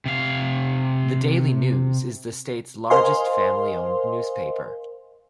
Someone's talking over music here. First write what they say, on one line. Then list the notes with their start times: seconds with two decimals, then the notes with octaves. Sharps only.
The "Daily News" is the state's largest family-owned newspaper.
0.06 C3 F5
2.90 A#4 C5 D#5 F5 G#5 C6